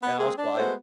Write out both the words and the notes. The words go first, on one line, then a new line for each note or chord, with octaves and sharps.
And also I
B3
G#3 A#3 C4 G#4
D4
G#3 A3 B3 F#4 C5